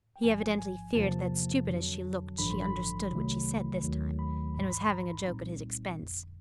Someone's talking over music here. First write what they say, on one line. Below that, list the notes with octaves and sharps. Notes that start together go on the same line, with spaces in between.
He evidently feared that, stupid as she looked, she understood what she said this time, and was having a joke at his expense.
G5
A1 G#2 F3 G#5
G#5
E2 C3 F3 A#3 A5
F2 D3 F#3
A1 G2 D3 F3 B5
C6
B5
C2 C3 D#3 F#3 A3
D#2 D#3 F#3 A3
B5
A#1 G#2 E3 B5
C6
B5
A#5
C2 A#2 G3 C4 D#4
G1 F2 D3